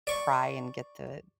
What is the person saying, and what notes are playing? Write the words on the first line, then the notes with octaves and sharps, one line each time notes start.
pry and get the
D5 C#6